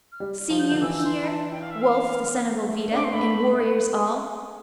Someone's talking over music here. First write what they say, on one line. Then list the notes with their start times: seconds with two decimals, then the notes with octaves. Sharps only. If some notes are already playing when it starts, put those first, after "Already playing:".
'See you here, Wulf the son of Ovida, and warriors all!
0.12 F6
0.20 G3
0.50 F3
0.59 G6
0.71 D3
0.81 E3 E6
1.05 C6
1.23 B5
1.27 A5
1.51 G5
1.61 F5
1.71 E5
1.81 F5
2.66 A3
2.92 D4
2.96 C4 D6
3.04 B3 C6
3.13 A3 B5
3.53 A3
3.60 B3